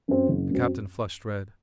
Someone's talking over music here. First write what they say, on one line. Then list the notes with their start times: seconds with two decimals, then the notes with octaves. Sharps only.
The captain flushed red.
0.08 F#2 F#3 C4
0.29 F#1
0.50 F#2 F#3 C4